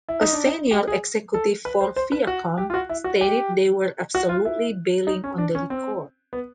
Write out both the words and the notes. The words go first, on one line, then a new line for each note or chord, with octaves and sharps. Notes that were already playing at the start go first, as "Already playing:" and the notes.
A senior executive for Viacom stated they were absolutely bailing on the record.
E4
D#4
D4
D#4
G4
G#4
A4
B4
C5
C5
B4
F#4
G4
F4
F#4
E4
F#4
G4
F#4
F4
E4
D#4
C#4
D4
C#4
C4
B3